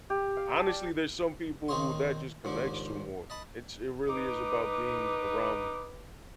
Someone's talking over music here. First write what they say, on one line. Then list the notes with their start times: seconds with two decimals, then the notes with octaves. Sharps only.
honestly, there's some people who that just connects to more, it's it really is about being around
0.10 G4
0.37 F5
0.54 A5
0.67 D5
1.68 D#3 C4 D#4 G#4 C#5 C6
2.45 D#2 G#2 F3 D4
3.30 D#5 A5 B5
4.09 D#4 B4 D6